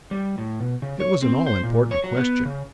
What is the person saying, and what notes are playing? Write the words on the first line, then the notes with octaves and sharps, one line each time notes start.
It was an all-important question.
G3
A2
B2
C#3
C#5
C4
C5
A#2
C#5
F#3
B3
C#3